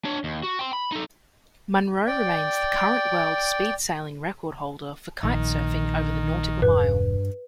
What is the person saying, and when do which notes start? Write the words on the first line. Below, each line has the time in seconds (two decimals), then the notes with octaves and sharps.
Munro remains the current world speedsailing record holder for kitesurfing over the nautical mile.
0.05 D4 C#5
0.24 D#2
0.43 F#4
0.59 G5 C6
0.73 B5
0.92 D#4 A4
2.07 D5 G5
5.23 A#1 D#3
6.62 E1 G2 B4